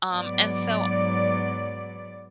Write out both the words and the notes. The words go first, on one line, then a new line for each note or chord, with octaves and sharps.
um, and so
G#2 F#3 B3 D5